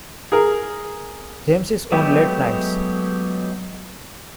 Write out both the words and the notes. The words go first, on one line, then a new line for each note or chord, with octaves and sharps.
James is on late nights.
G#4 A#4
F#3 G#3 A3 B3 G4